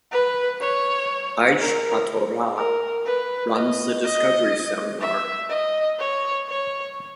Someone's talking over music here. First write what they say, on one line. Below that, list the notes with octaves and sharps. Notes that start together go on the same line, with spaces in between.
Aish HaTorah runs the Discovery Seminar.
B4
C#5
A#4
A#4
B4
D#5
D#5
E5
D#5
C#5
C#5